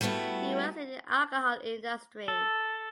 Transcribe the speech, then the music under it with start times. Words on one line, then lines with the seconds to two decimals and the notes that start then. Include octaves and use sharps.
He works in the alcohol industry.
0.01 G3 A3 B3 E4 F#4
2.28 A4